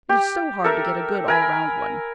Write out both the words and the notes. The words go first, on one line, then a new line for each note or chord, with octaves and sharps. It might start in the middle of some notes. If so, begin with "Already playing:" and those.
It is so hard to get a good all-round one.
G4
A4 A#4 E5
A#4 G#5 B5